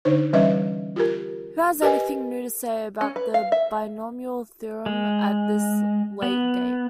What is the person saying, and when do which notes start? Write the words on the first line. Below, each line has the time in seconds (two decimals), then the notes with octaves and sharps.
Who has anything new to say about the binomial theorem at this late date?
0.05 D3 D4 D#4 C5 C#5
0.33 E3 G3 C#4 B4 D#5 E5
0.96 F4 G4 A#4
1.82 G4 A#4 B4 D#5 G#5
3.01 C#4
3.16 B4
3.34 F5
3.52 E5
4.86 G#3
6.22 B3